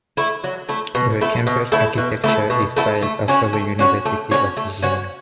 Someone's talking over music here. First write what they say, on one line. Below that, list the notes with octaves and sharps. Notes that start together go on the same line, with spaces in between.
The campus architecture is styled after the University of Virginia.
A3 E4
F#3
A3 E4
B2
A3 E4 A4
B2
A3 E4 A4
B2
A3 E4 A4
B2
A3 E4 A4
A3
C#4 F#4 C#5
A3
C#4 F#4 C#5
A3
C#4 F#4 C#5
A3
C#4 F#4 C#5